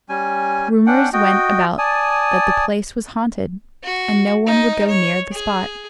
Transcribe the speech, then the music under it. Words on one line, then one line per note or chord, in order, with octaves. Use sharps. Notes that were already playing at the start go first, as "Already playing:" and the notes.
Rumours went about that the place was haunted, and no one would go near the spot.
G3 C#4 G#5
C#4 D4 F#5 G5
F#4 D#5 G5
D5 G#5 A5 D#6
F#4
D#4 D#5
C#5
G#4